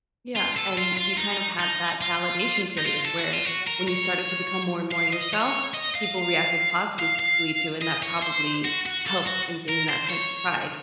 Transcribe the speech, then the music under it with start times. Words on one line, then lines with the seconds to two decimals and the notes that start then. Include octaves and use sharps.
Yeah, and you kind of had that validation period where when you started to become more and more yourself, people reacted positively to, and that probably helped in gaining that sense of pride.
0.36 F4
0.56 A4
0.77 F4
0.97 F4
1.18 D#4
1.59 D#4
2.01 F4
2.77 D#4
2.84 F4
3.05 A4
3.19 F#4
3.33 F4
3.45 F#4
3.67 A#4
3.88 C#5
4.91 F5
5.13 D#5
5.33 C#5
5.74 D#5
5.95 F5
6.99 F5
7.19 F5
7.81 D#5
8.02 C#5
8.23 C5
8.65 F#4
8.86 F#4
9.07 A4
9.26 F#4
9.68 A#4
9.89 C5
10.09 C#5